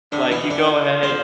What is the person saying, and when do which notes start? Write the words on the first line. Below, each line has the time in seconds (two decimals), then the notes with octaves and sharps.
Like, you go ahead,
0.12 A2 D3 D4
0.31 B2 E3 E4
0.50 D3 E3 D4
0.60 E3
0.70 F3
1.03 C4
1.08 D3